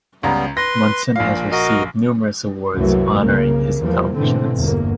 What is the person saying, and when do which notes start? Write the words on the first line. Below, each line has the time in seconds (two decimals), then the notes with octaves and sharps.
Munson has received numerous awards honoring his accomplishments.
0.23 C#2 G3 B3 A#5
0.57 B4 C6 A#6
1.16 A#1 A#2 F5
1.51 F#4 A#4 D#5
2.74 C2 F#2 E3 F#3 A3 A#3
3.18 C2 C#3 A#3
3.81 E2 E3 F3 G3 A#3
4.14 G#2 B2 D3 E3 A3 C4
4.58 G1 E2 A#3